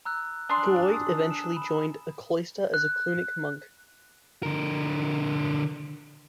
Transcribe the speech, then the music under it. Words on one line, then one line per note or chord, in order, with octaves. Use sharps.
Guiot eventually joined a cloister as a Cluniac monk.
A#5 E6 F#6
D4 G#5 A#5 C6 D#6
D#6
E7
B5
F#6
D3 A#4